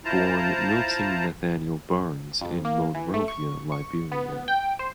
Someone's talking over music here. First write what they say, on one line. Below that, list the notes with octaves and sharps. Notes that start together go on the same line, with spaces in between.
Born Milton Nathaniel Barnes in Monrovia, Liberia.
E4 F4 C5 A5 A#5
F2
A#3
E3
A3
C#6
C#6
B3
G5
C5